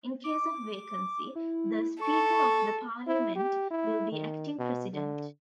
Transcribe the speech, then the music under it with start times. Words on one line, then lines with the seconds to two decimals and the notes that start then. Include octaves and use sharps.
In case of vacancy, the Speaker of the Parliament will be acting President.
0.24 D6
1.36 E4
2.01 A4 C#6
3.07 E4
3.36 G4
3.71 E4
4.12 D#3
4.59 B2
4.94 D3